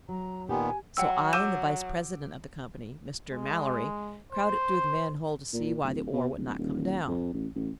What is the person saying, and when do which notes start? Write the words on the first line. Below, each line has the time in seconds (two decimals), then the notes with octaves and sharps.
So I and the vice-president of the company, Mr. Mallory, crowded through the manhole to see why the ore would not come down.
0.09 F#3 A#5
0.49 A#2 D#3 B3 G4 G#5
0.97 F#3 F#5 G5 E6
1.33 D6 E6 G6 D#7 E7
3.30 G#3
4.33 C5
5.53 A#2
5.83 D1
6.13 B2
6.37 D1
6.58 D#1
7.07 F2
7.34 A1
7.56 A1